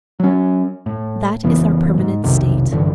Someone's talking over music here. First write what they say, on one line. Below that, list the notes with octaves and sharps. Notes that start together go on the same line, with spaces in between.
That is our permanent state.
F#3 C#4
A2
F1 C#3 E3 B3
G#2
B1 F2 C3 D#3
A1 G2 D3 E3